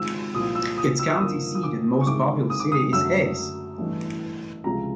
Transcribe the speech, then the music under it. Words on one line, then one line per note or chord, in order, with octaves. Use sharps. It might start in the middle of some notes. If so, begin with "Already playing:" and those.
Its county seat and most populous city is Hays.
Already playing: G#1 G#2 F3 G#3 E6
C2 A#2 F3 D#6
E6
D#6
E6
E6
G2 D3 F3 A#3 D#4 D#6
D#6
D6
C#6
G#2 D#3 G#3 C4 E4 D6
D#6
D6
D#6
F#2 D3 F#3 A3 E6
A1 G2 E3 A3
C#2 C3 F3 G#3 C#4 A#5